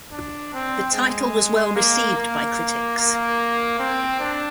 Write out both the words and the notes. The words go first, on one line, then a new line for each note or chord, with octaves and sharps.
The title was well received by critics.
D4
C4
G#3
A#3
A#3
A#3
C4
D4